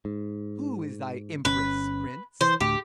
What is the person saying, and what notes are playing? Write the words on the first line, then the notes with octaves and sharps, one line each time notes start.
Who is thy Empress, Prince?
G#2
G1 C#4 B4
E3 C5
D2 A2 G4